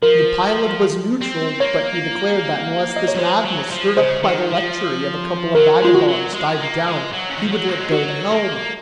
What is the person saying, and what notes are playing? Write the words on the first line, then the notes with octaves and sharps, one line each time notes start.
The pilot was neutral, but he declared that unless this madness, stirred up by the lechery of a couple of vagabonds, died down, he would let go the helm!
F3 A#4
C4
A#3 C#5
D#5
C#5
F#3
G#3 C5
F#3
F3
C#3 C5
D#3
F3
F#3 A#4
G#3 F4
F#4
F#3
G#3
A#3
G#3
F#3
C#3
D#3
F3
F#3
A#3
G#3
F#3 F#4
A#3